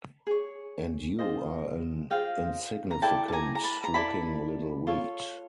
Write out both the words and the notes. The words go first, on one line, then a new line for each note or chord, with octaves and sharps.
And you are an insignificant-looking little weed.
G#4 C#5
F4 G#4 C5 D#5
F4 G#4 C5 D#5 F5 G5
A#5
E4 A4 D5 G5 A5
A5
G#5 A#5
A#5
A5 B5
A#5
E4 A4 D5 A5 B5
F4 A4 C#5